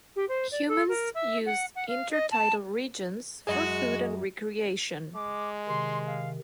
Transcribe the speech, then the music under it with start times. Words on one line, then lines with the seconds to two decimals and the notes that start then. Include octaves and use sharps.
Humans use intertidal regions for food and recreation.
0.16 G4
0.28 C5
0.51 D5
0.68 A4
0.88 A#4
1.14 E5
1.46 F#5
1.75 F#5
1.88 F5
2.10 D#5
2.31 A5
3.47 F#2 G#3 F#4 G#4 D#5
5.15 G#3 D6
5.68 C3 D#3 C6
6.07 F5